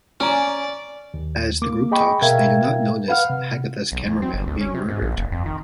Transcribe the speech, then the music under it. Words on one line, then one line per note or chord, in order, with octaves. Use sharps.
As the group talks, they do not notice Hagitha's cameraman being murdered.
C#4 D5 G#5 A#5
D#2
A#3 D6
G#4 D#5 G5 B5 C#6
B2 A#4 E5 F5 G5 G#6
B4 F5 F#5 F6
C3
B1
E2
C4
G1
D2
C#4
C3
G#2
A#1
F1
F2
D#3